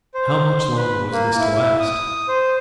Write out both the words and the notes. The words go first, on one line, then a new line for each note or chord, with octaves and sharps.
How much longer was this to last!
C5
B4
A#3
E4
D#6
C5